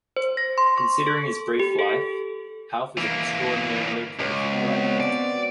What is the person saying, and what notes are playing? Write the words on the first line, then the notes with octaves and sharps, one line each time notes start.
Considering his brief life, Hauff was an extraordinarily prolific writer.
C5
A#6
C6
C#6
A4
G4
A4
E3 A#3
C#2
B3 C4 F#4
D5